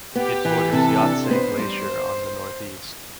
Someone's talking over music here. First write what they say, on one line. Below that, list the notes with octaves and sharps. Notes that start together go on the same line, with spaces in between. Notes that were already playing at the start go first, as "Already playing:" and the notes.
It borders Yahtse Glacier on the northeast.
B3 G4
E3
C3 A4
D4
B3 C5
G3